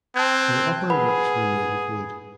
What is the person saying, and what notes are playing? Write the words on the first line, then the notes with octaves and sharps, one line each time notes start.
Her upper works were made of wood.
C4 A5 F#6 G#6
G#4 B4 F#5 B5